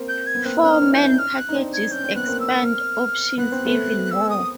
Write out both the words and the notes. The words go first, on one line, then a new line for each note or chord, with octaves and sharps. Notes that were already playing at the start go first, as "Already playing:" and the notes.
Four-man packages expand options even more.
Already playing: A#3 C4
G6
G#6
B3
A#3 C4 F#6
C4 D4 F#6
F6
C#4 D#4
E4 G6
C#4 D#4
F6
F#6
D#4
C4 D4
G#6
C#4 G6
C4
B3 F#6
A#3 C4
E6
F6
B3 F#6
C4
A3 B3
E6
D#6